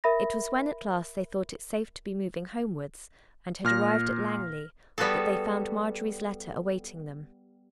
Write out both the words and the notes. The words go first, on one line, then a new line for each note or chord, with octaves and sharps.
It was when at last they thought it safe to be moving homewards, and had arrived at Langley, that they found Marjorie's letter awaiting them.
A#4 E5 B5 A#6
A#2 F6 A#6
G3 B3 F#4 G#4 A4